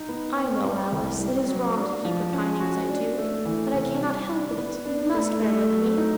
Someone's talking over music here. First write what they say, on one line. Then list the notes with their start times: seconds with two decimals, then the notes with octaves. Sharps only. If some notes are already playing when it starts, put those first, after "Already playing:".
'I know, Alice, it is wrong to keep repining as I do, but I cannot help it: you must bear with me.'
Already playing: D#4
0.09 B3
0.36 C4
0.64 G3
0.92 C2
1.20 G3
1.49 F#3
1.77 D4
2.05 F3
2.33 C#4
2.60 F#4
2.89 D4
3.18 A3
3.46 E3
3.74 C3
4.01 G3
4.30 D4
4.58 B3
4.86 D4
5.14 A3
5.42 A3
5.70 F#3
5.98 D#4